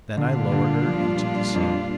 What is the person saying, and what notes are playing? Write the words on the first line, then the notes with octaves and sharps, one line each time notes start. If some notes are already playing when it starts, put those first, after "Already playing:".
Then I lowered her into the sea.
A#2 D3 G3 D4 F4
D3
F3
F2